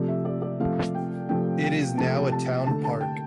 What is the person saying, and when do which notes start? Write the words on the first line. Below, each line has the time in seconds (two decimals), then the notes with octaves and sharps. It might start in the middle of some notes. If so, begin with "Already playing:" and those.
It is now a town park.
Already playing: C3 F3 A3 D5
0.08 E5
0.25 D5
0.42 D5
0.59 C3 F3 A3 F5
0.95 G5
1.29 C3 F3 A3 G5
1.63 G5
1.98 C3 F3 A3 A5
2.32 A5
2.66 D3 A3 A5
2.84 A5
3.01 G5